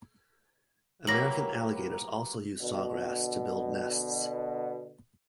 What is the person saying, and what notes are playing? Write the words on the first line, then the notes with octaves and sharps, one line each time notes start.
American Alligators also use sawgrass to build nests.
F#3 A#3 E4 G4 A#4 B4 A#6 F#7
B2 D3